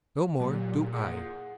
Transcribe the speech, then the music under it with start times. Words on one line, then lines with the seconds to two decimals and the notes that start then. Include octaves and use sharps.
"No more do I!"
0.40 A#2 F#3 G4
0.94 G#4 F#5